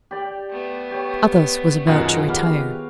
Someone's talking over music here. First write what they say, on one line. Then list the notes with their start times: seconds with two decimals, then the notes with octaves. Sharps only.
Athos was about to retire.
0.11 G4 D5 G5
0.51 A3 B3
0.91 G4 C#5
1.87 F#2 B2 D#3 F4 G#4 F#5
2.29 B3 F#4 G4 F5